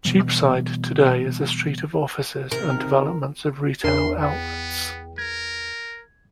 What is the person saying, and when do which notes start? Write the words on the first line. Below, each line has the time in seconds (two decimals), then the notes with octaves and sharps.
Cheapside today is a street of offices and developments of retail outlets.
0.05 B2 E3 G3
2.52 C3 D#3 A#4
3.84 E2 D4 A#4 C6
4.22 B3 G5
5.18 A#4 G#6